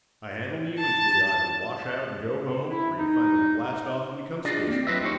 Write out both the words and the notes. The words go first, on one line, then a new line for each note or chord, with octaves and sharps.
I handle you until you either wash out and go home, or you finally blast off and become spacemen.
A5
E4
D#4
D4 F4 G#4 D5 D#5
A#3 C4
F#3 F4 B4 D#5 E5
A#3 D#4 G4 C5 C#5